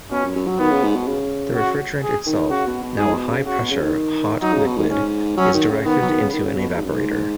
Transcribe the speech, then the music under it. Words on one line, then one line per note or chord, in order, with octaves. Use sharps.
The refrigerant itself, now a high pressure, hot liquid, is directed into an evaporator.
B2 C#4
F#2
F#2
F#3
D#3 B3
C#3
G#2
B2
C#3
F#4
G#4
D#3
C#3 F#4
B2
B2
G#2 G#4
B2
C#3
C#3 F#4
B2
C#3
D#3
F#3 D#4
C#3
B2
G#2
G#2 C#4
F#3 C#4
D#3
C#3
D#3 B3
F#3
D#3
C#3
D#3
C#3
B2
B2
G#2
F#2
G#2